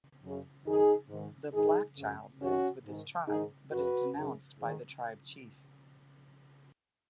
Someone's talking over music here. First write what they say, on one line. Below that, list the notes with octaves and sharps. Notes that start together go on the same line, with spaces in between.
The "black child" lives with his tribe, but is denounced by the tribe chief.
F#2 C#3
F#2 D#3 D#4 G#4
G#2 D#3
G#2 D#3 D#4 G#4
F#2 C#3
F#2 D#3 C#4 F#4
G#2 D#3
G#2 D#3 D#4 G#4
F#2 C#3 F#4 B4
F#2 C#3
G#2 D#3